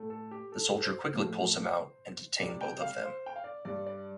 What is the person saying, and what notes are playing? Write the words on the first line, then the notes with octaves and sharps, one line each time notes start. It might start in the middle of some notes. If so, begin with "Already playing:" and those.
The soldier quickly pulls him out and detain both of them.
Already playing: A2 A3
A4
G4
A4
C5
A2 F3 A3
C3 G3 D5
G5
F5
C5
G5
F5
D5
G2 G3 D5
D5